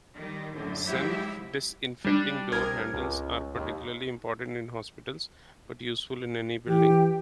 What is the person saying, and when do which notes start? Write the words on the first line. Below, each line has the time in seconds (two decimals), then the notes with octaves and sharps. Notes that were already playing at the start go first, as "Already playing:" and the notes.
Self-disinfecting door handles are particularly important in hospitals, but useful in any building.
0.15 D#3 G3
0.53 F#2 A2 D3
0.85 G#2 F3 F#3 E4 G4 E5
2.05 G3 D4
2.52 C2 A#4 D#6 F6 G#6
2.94 C#2
3.56 D#2
6.67 E3 G4